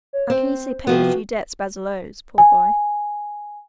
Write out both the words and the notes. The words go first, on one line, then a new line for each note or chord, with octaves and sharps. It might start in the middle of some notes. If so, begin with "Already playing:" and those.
I can easily pay the few debts Basil owes, poor boy.
C#5
C4 C5
C3 F3 B3 F#4
G#5